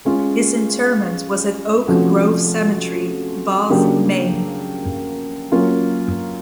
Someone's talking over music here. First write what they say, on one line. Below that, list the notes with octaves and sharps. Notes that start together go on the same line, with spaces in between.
His interment was at Oak Grove Cemetery, Bath, Maine.
G#3 C#4 F4 G#4
C3 F3 A3 C#4 F#4
C#3 F#3 A#3 D4 G4
F#3 A#3 C#4 F4